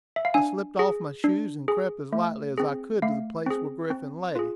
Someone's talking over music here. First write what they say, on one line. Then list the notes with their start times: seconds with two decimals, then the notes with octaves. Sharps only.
I slipped off my shoes, and crept as lightly as I could to the place where Griffin lay.
0.16 E5
0.25 F5
0.34 D4 G#5
0.79 G#4
1.24 D4
1.68 G#4
2.13 A3
2.58 C4 G#4
3.02 A3 F5
3.46 C4 G#4
3.90 C4
4.35 F4 G#4